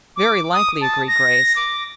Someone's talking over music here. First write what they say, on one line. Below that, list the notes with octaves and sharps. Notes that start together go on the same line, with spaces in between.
"Very likely," agreed Grace.
D6
D#6
A5
A#6
D6